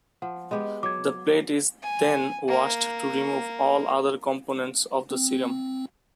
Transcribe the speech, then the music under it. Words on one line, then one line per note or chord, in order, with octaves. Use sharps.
The plate is then washed to remove all other components of the serum.
F3 F#5
G#3 B3 G4
F#3 D6 G#6
G#5
A#3
C4